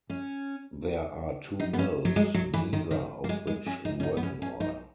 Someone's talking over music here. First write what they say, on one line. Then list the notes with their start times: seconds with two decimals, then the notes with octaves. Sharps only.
There are two mills, neither of which in working order.
0.10 C#4
1.60 D#4
1.73 B3
1.79 C#4
2.05 F#3
2.16 G#3
2.34 F#3
2.54 E3
2.73 D#3
2.91 D#3
3.24 A#3
3.29 G#3
3.47 G#3
3.66 C#4
3.85 D#4
4.00 C#4
4.03 D#4
4.17 B3
4.23 C#4
4.42 C#4
4.60 D#4